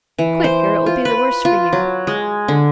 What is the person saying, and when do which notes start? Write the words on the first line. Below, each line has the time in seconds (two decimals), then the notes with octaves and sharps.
'Quick, or it will be the worse for you.'
0.18 E3
0.44 C5
0.86 F4
1.05 B4
1.45 F4
1.73 F#3
2.07 G#3
2.48 D3